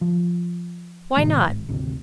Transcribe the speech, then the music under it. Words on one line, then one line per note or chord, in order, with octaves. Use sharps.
"Why not?"
F3
A2 C3 D#3 A3
G#1
G#1 D2 C3